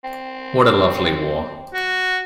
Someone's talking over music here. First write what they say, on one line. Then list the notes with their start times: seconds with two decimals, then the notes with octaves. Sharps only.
What a Lovely War.
0.04 C4
1.74 F#4